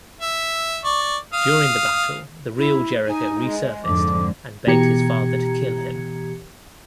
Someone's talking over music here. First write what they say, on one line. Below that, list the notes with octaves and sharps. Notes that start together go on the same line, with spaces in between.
During the battle, the real Jericho resurfaced and begged his father to kill him.
E5
D5 C#6
F5 D#6
E4
D#4 G#5
G#3
F2 G#2 D3 D6
B2 E3 G4 A#5 G#6 C#7